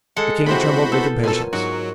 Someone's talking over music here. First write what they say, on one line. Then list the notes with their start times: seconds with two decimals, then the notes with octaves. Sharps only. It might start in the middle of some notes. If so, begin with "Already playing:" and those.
The king trembled with impatience.
0.16 G#3 A4 F#5
0.46 C3 E3 C4 F#4 C5 B5
0.92 B3 A4 E6 F6 G6
1.23 B2 F4 A4 A#4 C#5 G#5
1.53 G#2 F#3 F#4